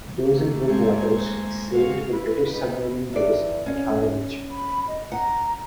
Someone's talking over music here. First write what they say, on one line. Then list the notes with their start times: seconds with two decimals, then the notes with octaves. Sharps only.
Those in home waters sailed to the British submarine base at Harwich.
0.19 A3 A#3
0.68 F#3 G#3 C4 C5 G#5 C#6
1.71 F#4 F5
2.13 A#3 E4 B4
2.53 C#3 B3 D#4
3.13 E2 D5
3.66 C#4
4.51 B5
4.88 D#5
5.12 F#5 A#5